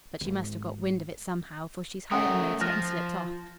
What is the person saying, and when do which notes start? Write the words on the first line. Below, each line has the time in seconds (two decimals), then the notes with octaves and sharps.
But she must have got wind of it somehow, for she's hired a motor and slipped off.
0.21 G#1
2.11 A3 C#4 A#4 F#5 G5 D#6
2.61 F3 F6 A#6